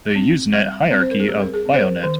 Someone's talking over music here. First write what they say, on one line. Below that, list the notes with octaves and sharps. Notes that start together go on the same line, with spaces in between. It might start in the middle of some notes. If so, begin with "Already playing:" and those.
The Usenet hierarchy of Bionet.
C4
G3
C4
C5
A#4
G#4
G3 G4
A#4
G#4
C4
C5
A#4
D#3